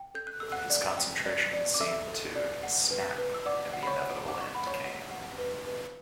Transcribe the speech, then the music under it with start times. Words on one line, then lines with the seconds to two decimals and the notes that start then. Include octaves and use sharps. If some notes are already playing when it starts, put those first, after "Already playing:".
His concentration seem to snap and the inevitable end came.
Already playing: G5
0.15 A4 G6
0.27 F#6
0.40 A4 E6
0.52 F#5 F#6
0.70 D5
0.98 G5
1.26 D5
1.53 D5
1.74 D6
1.80 A4 E5 E6
2.08 A4
2.36 D5
2.63 F#5
2.91 B4
3.18 B4
3.34 E6
3.46 D5 F#5 D6
3.73 F#5
3.83 B5
3.87 C#5 C#6
4.01 F#5
4.28 F#5 D6
4.41 C#6
4.55 F#5 B5
4.67 C#5 C#6
4.84 F#5
5.11 F#5
5.38 B4
5.67 B4